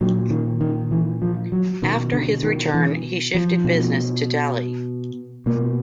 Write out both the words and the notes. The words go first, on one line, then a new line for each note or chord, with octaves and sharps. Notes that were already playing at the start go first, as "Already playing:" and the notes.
After his return he shifted business to Delhi.
A#2 F#3
D#3
D#3
E3
F3
F#3
B2 D#3
D3
D#3
E3
F3
B2
B2 A#3